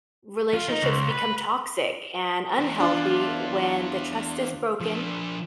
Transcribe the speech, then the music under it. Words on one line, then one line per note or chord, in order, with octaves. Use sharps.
relationships become toxic and unhealthy when the trust is broken,
F4
D#4
C#2
B4
E2 E3
D4 F4
F3 D4